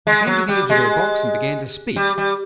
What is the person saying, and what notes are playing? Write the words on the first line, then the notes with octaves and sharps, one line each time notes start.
He came to the edge of her box, and began to speak.
G#3
F#3
G3
G#3
G3
G3